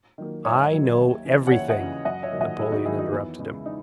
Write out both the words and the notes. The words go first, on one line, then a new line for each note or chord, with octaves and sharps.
"I know everything!" Napoleon interrupted him.
D#3 F#3 A#3
G#2 C#5 E5
D#3 F#3 A#3
D#2
C#3 E3
F#5
D#2 C#5 E5
D#5 F#5
C#3 E3
F#2 D#5 F#5
C#5 E5
D#3 F#3 A#3
D#5 F#5
F#2 E4 G#4
D#4 F#4
D#3 F#3 A#3 E4 G#4
D#4 F#4
E2 E4
C#3 E3 G#3
D#4